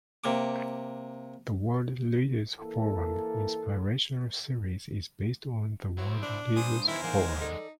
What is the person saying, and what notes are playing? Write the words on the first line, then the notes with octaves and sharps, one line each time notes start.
The World Leaders Forum Inspirational Series is based on the World Leaders Forum.
C3 A#3 D6
E3 A#3 A4
F#3 C4 E4
D4
G2 C5 G#5 D#6
E2 D#3 E4 A#4 C5 G#5
E3 G#3 A#3 D#4 F#4
D#4 A4 D5